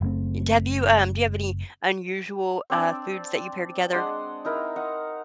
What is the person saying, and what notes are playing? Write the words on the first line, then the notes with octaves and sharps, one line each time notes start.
Have you, um do you have any unusual, uh, foods that you pair together?
F#1 A3 C4
C4 D4 D5 E6
G#3 D4 F#5 C6
D#4 E4 A#4
D#4 F#5